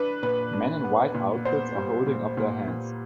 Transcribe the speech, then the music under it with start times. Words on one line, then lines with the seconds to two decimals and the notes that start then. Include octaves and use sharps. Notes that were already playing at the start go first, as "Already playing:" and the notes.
Men in white outfits are holding up their hands.
Already playing: D4 B4
0.23 A#2 B4
0.53 D4
0.84 B3
1.14 A#2
1.45 B3 C5
1.75 G3
2.07 A#2
2.37 A#2
2.68 A#2